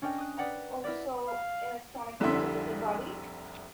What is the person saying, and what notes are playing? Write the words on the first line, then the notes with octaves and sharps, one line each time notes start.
Also ""Electronic music of the body?
C#4 D4 A#4 D#5 G5
D#6 F#6
A#4 B4 D5 F#5 G5 A#5
E4 A#4 B4 D5
F5
F1 C2 D3 E4 E5 C6